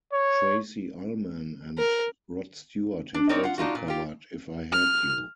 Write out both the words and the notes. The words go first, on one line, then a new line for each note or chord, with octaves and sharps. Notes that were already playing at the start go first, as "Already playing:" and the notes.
Tracey Ullman and Rod Stewart have also covered If I Had You.
C#5
A#4
D4
C4 D#4 A#4 C#5 D5
F4 F#5
D4 D#4 F4 F#4
A#2
F4 G4
F6